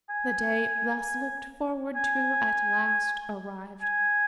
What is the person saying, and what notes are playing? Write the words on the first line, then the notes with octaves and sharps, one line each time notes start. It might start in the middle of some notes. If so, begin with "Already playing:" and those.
The day thus looked forward to at last arrived.
G#5
G#5
G#5